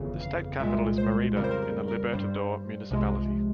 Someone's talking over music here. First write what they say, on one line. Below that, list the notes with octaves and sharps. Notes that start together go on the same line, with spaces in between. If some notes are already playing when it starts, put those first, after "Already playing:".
The state capital is Mérida, in the Libertador Municipality.
Already playing: G1 F2 C#3 E3
F5
C2 A#2 G#3 E5
C5
F2 C#3 G3 A#4
C5
A#4
A#4
A#4
G2 G3 C5
C2 C3 F3 G#3